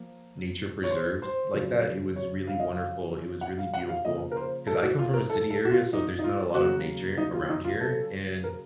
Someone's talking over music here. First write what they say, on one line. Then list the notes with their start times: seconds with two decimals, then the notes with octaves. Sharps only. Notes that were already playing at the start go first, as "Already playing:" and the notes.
nature preserves like that. It was really wonderful. It was really beautiful. 'Cause I come from a city area, so there's not a lot of nature around here. And
Already playing: F3 A#3
0.83 C#5
0.91 C5
1.22 C5
1.54 F2 C#3 F#3
2.16 C#5
2.47 F5
2.60 D#5
2.72 F5
3.41 F#5
3.58 F5
3.74 F#5
3.89 F5
4.05 C#3 F3 A#3 D#5
4.31 A#4
4.36 C5
4.67 A4
4.83 F#4
4.98 F4
5.14 A#4
5.30 A4
5.50 A4
5.65 F#4
5.71 F4
5.93 D#4
6.19 D#4
6.24 F4
6.55 C#3 F#3 A#3 F#4
7.18 D#4
7.33 F4
7.49 D#4
7.65 F4
7.81 A4
8.44 A#4